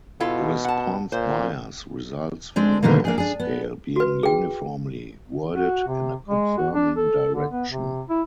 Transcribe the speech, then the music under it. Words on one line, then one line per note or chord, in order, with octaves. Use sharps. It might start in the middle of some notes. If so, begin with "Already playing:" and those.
Response bias results from the F scale being uniformly worded in a confirming direction.
B2 E4 F4 A4
F#5 A5
A#2 C5
G#3 C4 D4
B2 D3 D#3 G3 A#3
A#3 D4 G#4
D4 G#4
B3
F#4 B4
G#4 G5
F#4
C3
G#3
F#4
D4
A4
D3
B3
C3
E4